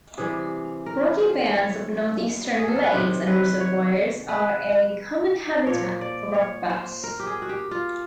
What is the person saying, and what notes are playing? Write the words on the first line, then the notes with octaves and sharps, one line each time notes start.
Rocky banks of northeastern lakes and reservoirs are a common habitat for rock bass.
C3 E3 G3 G#4
A#4
C5
C#5
G#4
A4
A#4
B4
C3 D#3 F#3 C5
B4
C#5
B4
A#2 F3 C#5
D5
C#5
C5
A#4
G4
G#4
F#4
G4
F4